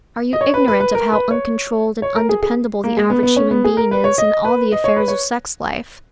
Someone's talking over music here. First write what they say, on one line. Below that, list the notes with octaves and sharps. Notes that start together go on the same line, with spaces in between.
Are you ignorant of how uncontrolled and undependable the average human being is in all the affairs of sex life?
D#5
C#5
B4
B4
B4
A#4
B4
C#5
C#5
A#4
G#4
G#4
A#3
G#3
B3
B3
C#4
B3
G#4
A#4
B4
C#5
D#5
B4
D#5
C#5
B4
C#5